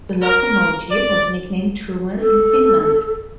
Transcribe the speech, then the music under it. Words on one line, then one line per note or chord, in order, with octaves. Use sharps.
The locomotive was nicknamed "Truman" in Finland.
A#4
D5
A4